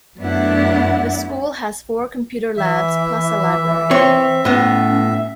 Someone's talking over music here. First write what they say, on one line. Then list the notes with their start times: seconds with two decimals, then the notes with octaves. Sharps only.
The school has four computer labs plus a library.
0.18 F#2 A3 B3 D4 E4 F#5
2.57 E3 E5
3.91 C4 C#5
4.45 A2 B3 C#4